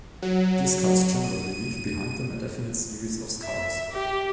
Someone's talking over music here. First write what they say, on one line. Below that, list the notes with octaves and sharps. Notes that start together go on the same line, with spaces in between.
These cuts generally leave behind them a definite series of scars.
F#3
D#7
E5
G4